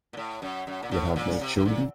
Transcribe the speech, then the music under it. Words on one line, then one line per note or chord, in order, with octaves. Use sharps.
You have no children.
A#2
A2
F#2
F#2
A#2
A2
A#2
C3
C3
A#2